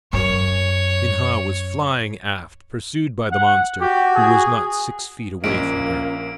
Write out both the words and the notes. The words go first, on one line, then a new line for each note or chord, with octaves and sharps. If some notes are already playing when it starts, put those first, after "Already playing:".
Minha was flying aft, pursued by the monster, who was not six feet away from her.
F#2 C#5
F#5
F#4 G4
G#4
A#1 A#3 C#4 F4 D#5 D7